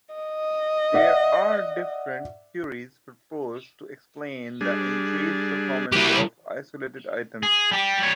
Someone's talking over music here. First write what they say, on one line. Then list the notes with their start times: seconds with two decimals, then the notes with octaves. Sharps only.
There are different theories proposed to explain the increased performance of isolated items.
0.15 D#5
0.94 D5 E5 F#5
4.61 G3 D4 G#4
5.92 G3 A#3 E4 F#4 G4
7.43 G#4
7.71 G3 G4
7.99 G3 C#5